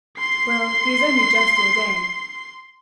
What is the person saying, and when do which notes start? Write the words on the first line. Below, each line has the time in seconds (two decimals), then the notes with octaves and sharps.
Well, he is only just ordained.
0.18 C6 C7